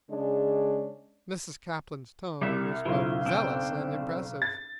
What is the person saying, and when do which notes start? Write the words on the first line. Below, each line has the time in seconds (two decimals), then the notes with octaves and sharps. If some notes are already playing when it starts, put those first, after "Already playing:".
Mrs. Caplin's tone was both zealous and impressive.
0.10 C#3 G#3 C#4 D4
2.41 C2 G3 E5
2.85 F#1 B1 E4 F4
3.26 C4 D4 G5
4.42 A6